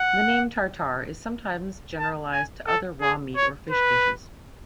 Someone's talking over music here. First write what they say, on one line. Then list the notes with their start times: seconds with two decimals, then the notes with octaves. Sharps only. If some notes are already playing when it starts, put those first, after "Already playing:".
The name tartare is sometimes generalized to other raw meat or fish dishes.
Already playing: F#5
1.98 A5
2.32 G#5
2.67 A4
3.01 G#4
3.36 C#5
3.70 B4